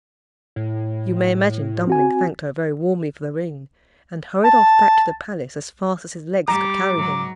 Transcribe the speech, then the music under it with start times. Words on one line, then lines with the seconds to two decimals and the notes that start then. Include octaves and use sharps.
You may imagine Dummling thanked her very warmly for the ring, and hurried off back to the palace as fast as his legs could carry him.
0.56 A2
1.87 C4 F#4 G#5
4.44 A5
6.48 G3 A#5 D6
6.95 G#2 F#3